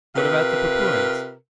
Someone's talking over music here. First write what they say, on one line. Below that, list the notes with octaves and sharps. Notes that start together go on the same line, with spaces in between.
"What about the Papuans?"
C3 F4 A#4 B4